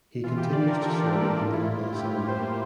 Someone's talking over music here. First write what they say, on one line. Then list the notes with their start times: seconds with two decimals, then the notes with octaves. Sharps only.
He continues to serve in the local assembly.
0.24 E3 F4
0.38 E3 G4
0.53 D5
0.62 D4 A#4
0.82 E3 A4
0.97 G4
1.02 E3
1.11 F4
1.21 A#3
1.41 A2 F4
1.52 E4
1.59 A2 F4
1.79 A2 E4
1.92 G4
1.99 A2 F4
2.14 A2 G4
2.28 C5
2.38 A#3
2.43 C5